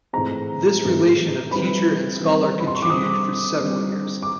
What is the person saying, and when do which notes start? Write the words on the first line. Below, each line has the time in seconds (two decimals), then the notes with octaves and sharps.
This relation of teacher and scholar continued for several years.
0.13 A2 E3 G#3 C4 A#5
0.82 A2 E3 G#3 C4
1.51 E3 G3 C4 B5
2.20 E3 G3 C4
2.59 B5
2.67 C6
2.75 C#6
2.82 D6
2.90 D3 G3 C4 D#6
3.59 D3 G3 C4
4.22 D6